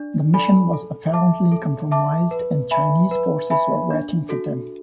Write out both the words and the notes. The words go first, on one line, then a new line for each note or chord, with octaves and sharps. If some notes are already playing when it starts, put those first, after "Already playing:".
The mission was apparently compromised and Chinese forces were waiting for them.
Already playing: D4 D5
A4 D5 G#5 B5
A4
E5 A5 D6
A4
E5 A5 D6
B4
E5 G#5 B5
B4
E5 G#5 B5
D4
F#4 A4